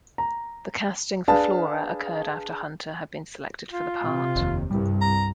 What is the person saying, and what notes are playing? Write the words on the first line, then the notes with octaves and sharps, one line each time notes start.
The casting for Flora occurred after Hunter had been selected for the part.
A#5
D4 G#4 B4 F5 A5
F4
C3
F1 D#2
C2 G2 G3
A#5